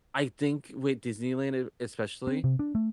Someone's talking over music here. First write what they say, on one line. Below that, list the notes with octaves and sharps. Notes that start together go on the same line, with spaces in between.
I think with Disneyland, it especially,
C4
C3
D4
A3